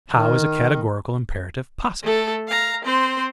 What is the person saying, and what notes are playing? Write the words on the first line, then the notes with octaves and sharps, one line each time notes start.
How is a Categorical Imperative Possible?
D#3
A3 A4
F5 A#5
C4 C5